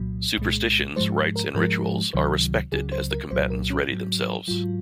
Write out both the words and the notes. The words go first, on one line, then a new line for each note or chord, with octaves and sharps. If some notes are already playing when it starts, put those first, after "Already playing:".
Superstitions, rites and rituals are respected as the combatants ready themselves.
Already playing: C2 A#2 F#3
C2 A#2 G#3
G#2 F3 G#3 C5
A#4
G#2 F3 G#3 A#4
C#2 C3 D#3 F#3
C#2 C#3 F#3 G#4
C5
A#4
C2 A#2 F#3 C5
A#4
C#4
G#2 F#3
G#2 F#3 F4